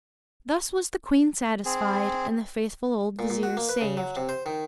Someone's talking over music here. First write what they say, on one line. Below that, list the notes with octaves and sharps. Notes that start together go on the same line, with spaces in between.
Thus was the Queen satisfied, and the faithful old vizier saved.
C4 G#4
A#2
A#2
F#4
A#3
B4
C#3
F#3
C3
C5
D#3